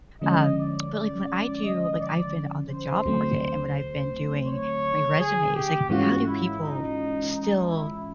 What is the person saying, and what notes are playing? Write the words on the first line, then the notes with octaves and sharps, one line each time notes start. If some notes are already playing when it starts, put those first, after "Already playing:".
um, but, like, when I do like, I've been on the job market, and when I've been doing my resumes, like, how do people still
D3 F3 G#3 C#4 D#5
D5
D5
D#5
D5
C5
D2 D3 F#3 A3 C4
C#5
G#4
G4
G#2 E3 G#3 C#4 F4 F#4
E4
D#4
D#4
E4